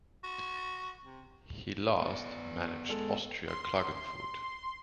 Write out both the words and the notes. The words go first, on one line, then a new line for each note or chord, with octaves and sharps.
He last managed Austria Klagenfurt.
F#4
C3
B3 D5
G#3 A4
C6